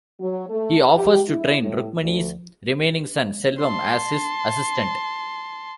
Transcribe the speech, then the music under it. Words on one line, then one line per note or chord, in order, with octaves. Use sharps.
He offers to train Rukmani's remaining son, Selvam, as his assistant.
F#3
A3
G4
E4
A2
D2
A5 C6